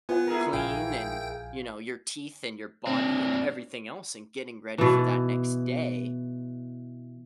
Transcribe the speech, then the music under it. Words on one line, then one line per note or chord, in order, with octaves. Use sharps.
clean, and, you know, your teeth and your body and everything else, and getting ready for that next day-
B3 F4 C5 F#5 G#5
E4 G#4 A#4
A#1 F5 G5 G#5
C4 D4
B2 E3